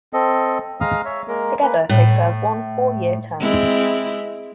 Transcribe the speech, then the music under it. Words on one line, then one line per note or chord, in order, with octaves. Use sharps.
Together, they serve one four-year term.
C4 A4 D#5
G#3 F5 A#5 D#6
C#5 E5
G#3 A#3 A#4
A#3 B4
A2
G#3 C4 E4